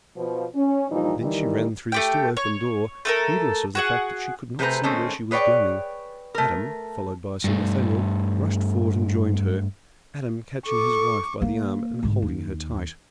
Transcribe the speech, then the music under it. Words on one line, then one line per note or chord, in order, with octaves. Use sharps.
Then she ran through the still open door, heedless of the fact that she could not see where she was going. Adam, followed by Sir Nathaniel, rushed forward and joined her--Adam catching his wife by the arm and holding her tight.
B2 F3
C#4
G2 A#2 E3 F3 G3 D#4
D#3 E3 G3
A3 G4 G5
C#5
A3 A4 A#4
F#4 G#4 F#5
C3 A3 G#4 B4 C5 A#5
D#3 G#3 A3 C4 C#4
G#4 B4 C#5 D5 G5
A3 A#4
G2 A3
A4 C#6 D6
A#3
G#2 D3
D#2